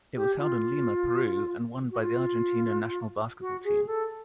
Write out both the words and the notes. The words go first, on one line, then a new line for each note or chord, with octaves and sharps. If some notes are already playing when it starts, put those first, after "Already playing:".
It was held in Lima, Peru and won by the Argentina national basketball team.
G4
F4
F#4
F4
F#4
G#4
A4